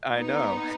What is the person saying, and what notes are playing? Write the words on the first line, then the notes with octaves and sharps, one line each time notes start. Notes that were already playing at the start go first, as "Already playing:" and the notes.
I know.
B3 D#4